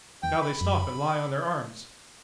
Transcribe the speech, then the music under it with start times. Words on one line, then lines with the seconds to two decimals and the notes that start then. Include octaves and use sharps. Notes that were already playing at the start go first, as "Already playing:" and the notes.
Now they stop and lie on their arms.
0.23 E2 G5
0.42 B5
0.61 F#2